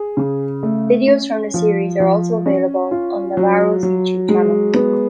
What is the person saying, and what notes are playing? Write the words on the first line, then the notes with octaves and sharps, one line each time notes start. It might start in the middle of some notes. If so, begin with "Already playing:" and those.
Videos from the series are also available on Navarro's YouTube channel.
Already playing: G#4
C#3
A3
C#4
F3
F3
C#4
F4
F#3
F#3
G#3
B3